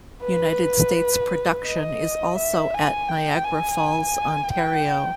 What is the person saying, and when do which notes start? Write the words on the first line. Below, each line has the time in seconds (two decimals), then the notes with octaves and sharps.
United States production is also at Niagara Falls, Ontario.
0.22 B4
1.66 D#5
2.37 E5
2.74 G#5
3.09 G5
3.45 G#5
4.53 G5